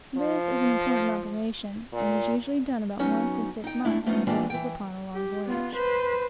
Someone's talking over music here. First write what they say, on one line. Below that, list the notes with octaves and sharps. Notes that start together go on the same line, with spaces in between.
This is an important operation, and is usually done about once in six months in vessels upon a long voyage.
F3
A#2
F#3 B3 C#4 D#4 F#4
D#4 G5
A3 D4 E4
F3 A3 B3 C#4 D#4 F4
E3 G3 G#3 A#3 D4 F4
E3 G5
G4
B3 F4
B4 C5